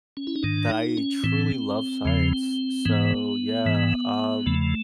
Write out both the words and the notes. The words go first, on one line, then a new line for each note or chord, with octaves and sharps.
that I truly love science, so, yeah, um
C#4
E4
D#4
G#2 D#3 D4
D#4
C#4
A2 E3 C4
E2 C#3 F3
G#2 E3 B3
G#2 E3
E2 C#3 F3 A3